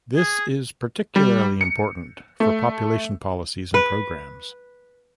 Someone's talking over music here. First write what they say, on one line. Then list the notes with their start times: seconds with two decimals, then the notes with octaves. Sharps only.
This is particularly important for population policies and programmes.
0.16 G#4
1.16 G3
1.61 C#7
2.40 A3
3.74 B4